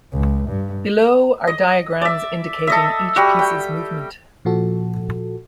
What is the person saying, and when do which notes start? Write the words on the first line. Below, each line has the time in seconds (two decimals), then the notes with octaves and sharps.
Below are diagrams indicating each piece's movement.
0.13 C#2
0.49 G2
1.47 D#5
2.01 D5 E5
2.67 A4 D#5 E5
3.16 G3 F#4
3.39 G5
4.45 A#2 F3 F#4 A4